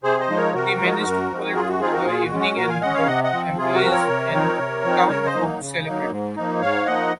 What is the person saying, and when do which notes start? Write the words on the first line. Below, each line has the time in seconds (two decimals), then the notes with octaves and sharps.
They manage to pull through the evening and the employees and town folks celebrate.
0.03 C3 G#4 C5
0.20 C5 D#5
0.29 F3 G#3 D#4
0.37 A#4 C#5
0.54 C3 F#4 A#4
0.79 F3 G#3 D#4
1.05 F#2
1.30 F3 C4 D#4
1.55 F#2 F4 G#4
1.68 F#4
1.80 F3 C4 D#4 F4 G#4
1.93 F#4 A#4
2.05 A#2 F4 G#4
2.23 F#4
2.31 G#3 C#4
2.40 F#4
2.56 A#2 F#4 A#4
2.69 F5 G#5
2.81 G#3 C#4 D#5 F#5
2.94 C#5 F5
3.07 C3 D#5 F#5
3.24 D#5 F#5
3.32 F3 C4
3.58 C3 F4 G#4
3.74 F#4 A#4
3.83 F3 C4
3.91 A#4 C#5
4.08 C3
4.34 F3 C4 D#4
4.59 C3
4.84 F3 C4 D#4
5.09 C#3 A#4 C#5
5.26 C5 D#5
5.34 F#3 A#3 D#4
5.60 C#3
5.85 F#3 A#3 D#4
6.10 G#2
6.36 F3 A#3 D#4
6.61 G#2 C#5 F5
6.86 F3 A#3 D#4 D#5 F#5